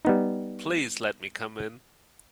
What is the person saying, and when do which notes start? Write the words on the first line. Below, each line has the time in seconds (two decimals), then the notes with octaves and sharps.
Please let me come in.
0.05 G3 B3 D#4